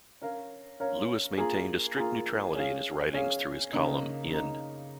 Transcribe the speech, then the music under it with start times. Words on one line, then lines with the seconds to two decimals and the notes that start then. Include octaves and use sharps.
Lewis maintained a strict neutrality in his writings through his column ' in '.
0.21 C#4 A#4 C#5 F5
0.80 C#4 A#4 C#5 F5
1.38 A#3 F4 G#4
1.97 A#3 F4 G#4
2.55 C#4 G#4 F5
3.14 C#4 G#4 F5
3.73 C#3 A#3 D#4
4.30 C#3 A#3 D#4